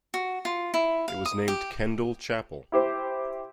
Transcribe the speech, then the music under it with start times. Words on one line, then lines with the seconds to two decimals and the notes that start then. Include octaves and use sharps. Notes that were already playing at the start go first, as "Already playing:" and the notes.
It was named Kendall Chapel.
0.14 F#4
0.45 F4
0.74 E4
1.08 F5
1.25 D#6
1.48 G4
2.72 E4 G4 C5